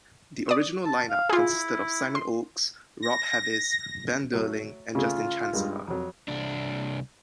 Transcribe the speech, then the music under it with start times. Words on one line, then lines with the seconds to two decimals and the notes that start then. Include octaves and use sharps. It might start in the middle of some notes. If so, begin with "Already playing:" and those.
The original line-up consisted of Simon Oakes, Rob Havis, Ben Durling and Justin Chancellor.
0.49 D5 D#6
0.86 A5
1.09 F5
1.29 E4 F4 G#4
2.15 C6
3.02 A#6
4.33 F#3 A3
4.95 C#3 A3 F4 G#4
5.53 G2 G3 G#3
5.88 F2 F#3
6.28 C2 D4